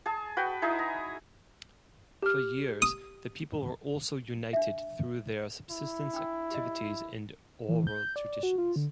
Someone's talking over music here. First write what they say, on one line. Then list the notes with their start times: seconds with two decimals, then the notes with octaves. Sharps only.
For years the people were also united through their subsistence activities and oral traditions.
0.06 G#4 A5
0.37 F#4 B4 G5
0.62 D#4 E4 G#4
0.79 A#5
2.23 G4 F6
2.82 D#6
4.53 D4 E5
5.71 E4
6.13 D4 G5 E6
6.51 G4 D#5
7.69 E3
7.87 G6
8.16 D5
8.43 F#4
8.58 F4
8.76 D3